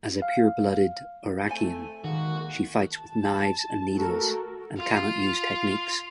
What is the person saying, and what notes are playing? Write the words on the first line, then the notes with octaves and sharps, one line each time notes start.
As a pure-blooded Orakian, she fights with knives and needles and cannot use techniques.
F5
A3 C4 A4 G#5
D#3 G#3 A#3 F#4
A5
A3 F#4 A4 A#4
F4 F5